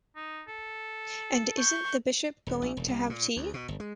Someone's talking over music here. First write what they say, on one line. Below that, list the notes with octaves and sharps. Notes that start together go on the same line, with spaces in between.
And isn't the Bishop going to have tea?
D#4
A4
C#6 G6
D#1
A#1
E1
C2
A#2
D2
B2
G1
G#3